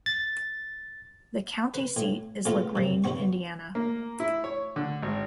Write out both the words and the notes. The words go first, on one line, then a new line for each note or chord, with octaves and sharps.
The county seat is LaGrange, Indiana.
A6
B4
A2
A2 G#3 B3 F4
F#2 C3
G2 B3 C#6
A#3
E4
C#5
D3
G#1